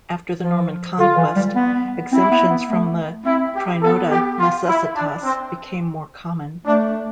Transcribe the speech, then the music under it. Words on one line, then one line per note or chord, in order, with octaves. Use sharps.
After the Norman Conquest, exemptions from the "trinoda necessitas" became more common.
F3
D3 F4
E3
G3
B3
C4 E4
B3
B3
A3
C4 E4
G4
B3 A4
G4
F4
E4
D4
C4
A3 D4